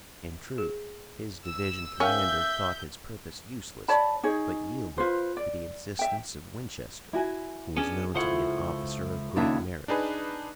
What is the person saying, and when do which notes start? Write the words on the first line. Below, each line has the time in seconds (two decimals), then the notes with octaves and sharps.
In truth his division commander thought his purpose useless, but yielded to the insistence of Winchester who was known to be an officer of great merit.
0.58 G#4
1.46 E6
2.00 C#4 A#4 E5 F5 G5 G6
3.88 C#5 D5 A5 B5
4.23 D#4 G#4 C#5
4.98 F4 B4 C5
5.37 D5
5.99 E5 G5
7.13 E4 F#4 G#5
7.77 B3 C#4 D4 G#4
8.14 C#2 F3 A3 E4 C5 F#5
9.36 D#2 C#3 D4 D#4 B4 E5
9.88 D4 D#4 G#4 B4